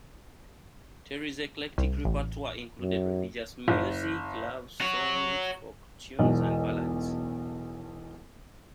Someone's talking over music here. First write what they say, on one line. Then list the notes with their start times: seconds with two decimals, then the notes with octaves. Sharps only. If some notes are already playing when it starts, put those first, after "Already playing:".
Terri's eclectic repertoire included religious music, love songs, folk tunes and ballads.
1.78 C2
2.05 A1
2.82 F#2
3.68 F#1
4.81 F#4 C#5
6.19 E1 B1